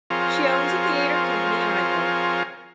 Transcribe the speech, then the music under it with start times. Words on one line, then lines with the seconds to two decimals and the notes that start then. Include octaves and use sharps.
She owns a theatre company in Idaho.
0.10 F3 C4 F4 G#4 A#4 C#5